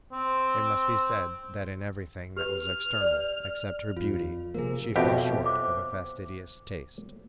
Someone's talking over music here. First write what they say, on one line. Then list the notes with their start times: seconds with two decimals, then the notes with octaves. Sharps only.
It must be said that in everything that was external, except her beauty, she fell short of a fastidious taste.
0.12 C4
2.37 G4 B4 F6
3.01 D5
3.97 F2 F4
4.54 C3 F3 A#3 G#4 A#4
4.96 F2 B2 G4 C#5 E5 B5
5.46 C5 D6